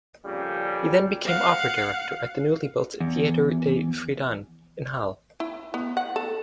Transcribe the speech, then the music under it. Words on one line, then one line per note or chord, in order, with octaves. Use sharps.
He then became opera director at the newly built "Theater des Friedens" in Halle.
F2 A#2 C#3 G3
F5 F#5
E2
E4
B3
F#5
A4